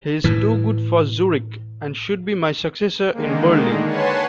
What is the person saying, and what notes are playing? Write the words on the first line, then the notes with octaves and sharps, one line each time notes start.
He's too good for Zurich, and should be my successor in Berlin.
A2 E3
D3 D#3 G#3 A#3
B4 C#5 F#5 G#5 A5 C6